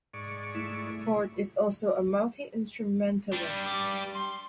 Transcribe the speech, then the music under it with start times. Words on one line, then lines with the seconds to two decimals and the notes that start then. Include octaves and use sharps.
Ford is also a multi-instrumentalist.
0.14 G#2 D5 C#6
0.55 A3 E4
3.33 G3 D4
3.65 D6
4.15 C6